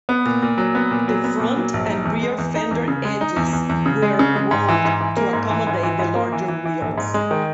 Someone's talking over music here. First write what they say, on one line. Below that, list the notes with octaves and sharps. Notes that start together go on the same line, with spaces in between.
The front and rear fender edges were rolled to accommodate the larger wheels.
B3
A#2
A#2
F#3
B3
A#2
F#3
B3
A#2
F#3
A#1
D#4
E2
G#3
E2
D#4
E2
C#3
G#3
D#4
E2
E2
E2
C#3
G#3
C#3
G#3
G#2
E3
G#2
E3
A#3
G#2
E3
G#2
E3
G#2
A#3
E3
E3
E3
A#1
G#2
G#3
D#3